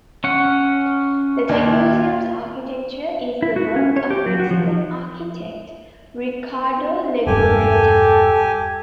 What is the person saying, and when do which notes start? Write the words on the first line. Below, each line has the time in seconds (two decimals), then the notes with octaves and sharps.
The Tech Museum's architecture is the work of Mexican architect Ricardo Legorreta.
0.24 C#4 F#5
1.49 D#2 A#2
3.42 E4
3.56 F#4
3.76 C#4
3.96 C#5
4.10 G4
4.26 F#3
4.40 F#4
4.51 F3
7.27 E1 G2 G4 A4 G#5